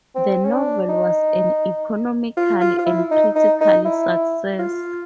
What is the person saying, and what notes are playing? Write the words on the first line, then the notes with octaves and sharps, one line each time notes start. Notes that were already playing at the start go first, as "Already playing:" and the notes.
The novel was an economical and critical success.
C4
C#4
D4
D#4
F4
F4
F4
E4
D#4
D#4
D#4
E4
F4